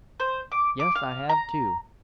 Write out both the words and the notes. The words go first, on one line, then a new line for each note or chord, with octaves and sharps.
Yes, I have, too!
C5
D6
D6
F5
A#5